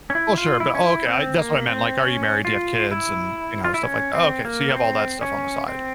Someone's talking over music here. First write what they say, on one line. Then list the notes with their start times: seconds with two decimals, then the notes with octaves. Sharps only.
Well, sure, but oh okay, I that's what I meant, like, are you married? Do you have kids, and, you know, stuff like oh, okay, so you have all that stuff on the side.
0.10 C#4
0.15 E4
0.37 F4
0.60 E4
0.75 C#4
0.84 E4
1.07 C4
1.37 A#3
1.69 C4
1.99 C#4
2.45 F4
2.91 E4
3.64 F4
3.74 E4
3.83 C#4
4.14 C4
4.45 A#3
4.76 C4
5.22 C#4
5.68 C4